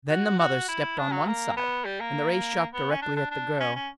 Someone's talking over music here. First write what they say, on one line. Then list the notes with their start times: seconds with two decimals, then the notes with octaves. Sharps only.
Then the mother stepped on one side, and the ray shot directly at the girl.
0.10 F#4
0.39 F#4
0.68 E4
0.98 D4
1.12 F#3
1.28 A#3
1.57 B3
1.85 G3
2.00 A#3
2.74 B3
2.91 C#4
3.02 D4
3.16 D4
3.31 D4
3.60 C#4
3.75 C#4